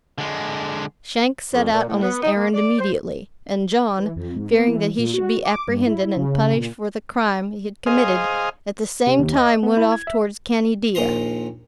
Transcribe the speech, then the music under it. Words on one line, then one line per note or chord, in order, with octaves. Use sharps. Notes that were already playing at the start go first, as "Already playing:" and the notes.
Shanks set out on his errand immediately,--and John, fearing that he should be apprehended and punished for the crime he had committed, at the same time went off towards Caneadea.
D3 G#3
F2
A#2
A2
B3
D#4
A#3
D5
C5
E3
F2
G#2
B3
E3
A#2
F#4
D6
G2
E4
C#3
A#2
G#4 C5 D#5 F5
C3
D#2
D#5
B3
E4
G#6
E5
A#1 D#2 A#2 D#5 A#5 C6